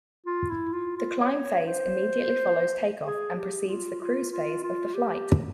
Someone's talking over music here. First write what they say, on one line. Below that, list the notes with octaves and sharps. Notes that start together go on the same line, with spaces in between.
The climb phase immediately follows take-off and precedes the cruise phase of the flight.
F4
E4
F4
F4
C#5
C5
G#4
G4
F4
F4
F4
F4
G4